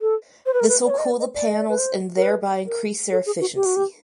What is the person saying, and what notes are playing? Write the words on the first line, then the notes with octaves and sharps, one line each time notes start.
This will cool the panels and thereby increase their efficiency.
A4
C5
B4
A#4
B4
D5
C#5
D#5
D5
D#5
D5
D#5
D5
B4
C5
A#4
B4
A#4
A4
G#4
F#4
G4
F#4
G4